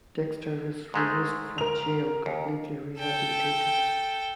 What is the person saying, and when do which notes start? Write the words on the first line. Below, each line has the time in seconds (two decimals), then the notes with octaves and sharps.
Dexter is released from jail, completely rehabilitated.
0.94 G#2 G#3 A3
1.58 A#4 F7
2.26 D#2
2.99 A4 G5